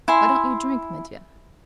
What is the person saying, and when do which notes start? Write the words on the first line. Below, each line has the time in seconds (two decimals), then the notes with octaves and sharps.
Why don't you drink, Mitya?
0.08 E4 G#5 C6